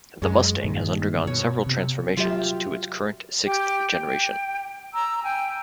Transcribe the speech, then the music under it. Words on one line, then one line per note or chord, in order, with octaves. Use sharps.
The Mustang has undergone several transformations to its current sixth generation.
F#2 G#3 C#4
G2 A#2 D#3
B2 C#5
C3
F#3 F4 G4 E5
G4 G5
G5
A#5 E6
G5 G#5